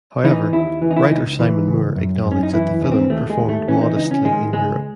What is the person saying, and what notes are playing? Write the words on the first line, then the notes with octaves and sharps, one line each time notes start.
However, writer Simon Moore acknowledged that the film performed modestly in Europe.
E3 D#4
D#2 E4
E3
D#4
E4
C#2 D#4
E3
C#2
F#2
F#2
C#4
D#4
E3 E4
D#2 C#4
C4
D#2 A3
G#3
D#2
A3
E3 C#4
D#4
C#2 D#4
C#4
D#3 G#3
C#2 G#3